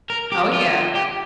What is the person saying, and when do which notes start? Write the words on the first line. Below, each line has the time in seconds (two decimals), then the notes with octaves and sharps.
Oh, yeah.
0.10 A#4
0.32 G4
0.53 F4
0.95 G4